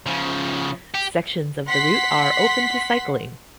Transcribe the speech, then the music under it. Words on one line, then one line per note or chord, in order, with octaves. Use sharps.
Sections of the route are open to cycling.
C#3 F3
G4
F#5 C6 B6